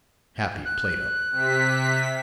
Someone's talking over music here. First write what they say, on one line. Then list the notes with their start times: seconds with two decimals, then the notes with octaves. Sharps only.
Happy Plato!
0.65 F#6
1.32 C3 B6